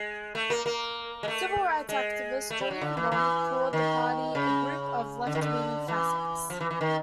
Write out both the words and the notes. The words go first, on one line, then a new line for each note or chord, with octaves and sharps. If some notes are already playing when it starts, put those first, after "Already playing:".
Civil Rights activist Julian Bond called the party "a group of leftwing fascists".
Already playing: G#3
A3
A#3
A#3
G#3
A3
G#3
A3
G3
F#3
D3
E3
E3
D#3
C#3
D3
D#3
D3
E3
F3
E3
E3
D#3